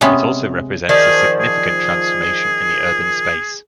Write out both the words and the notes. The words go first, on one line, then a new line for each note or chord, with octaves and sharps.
It also represents a significant transformation in the urban space.
C3 G#3 B3 C#4
D#3 F3 G#4 D5
G#4